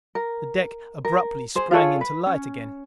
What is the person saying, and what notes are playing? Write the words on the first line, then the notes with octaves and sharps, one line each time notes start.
The deck abruptly sprang into light again.
A#4
A#4
G#4 C5
F4 G#4 A4 C#5
B4
C#4